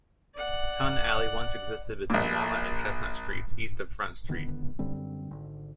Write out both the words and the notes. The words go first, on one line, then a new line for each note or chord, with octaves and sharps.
Tun Alley once existed between Walnut and Chestnut Streets east of Front Street.
D5 F#5
A#1 A#2
C#2 D3 D#3 B3
F#2 D3 G3 C4
G#1 D3